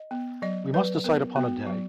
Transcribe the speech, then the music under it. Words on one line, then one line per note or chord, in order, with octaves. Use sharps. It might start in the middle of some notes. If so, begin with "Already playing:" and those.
We must decide upon a day.
Already playing: D#5
B3
F#3 D#5
F#3 B4
B3 A#4
B3 F#4
F#3